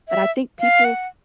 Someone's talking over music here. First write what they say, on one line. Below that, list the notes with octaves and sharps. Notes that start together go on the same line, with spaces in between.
But I think people
E5
F5
F#5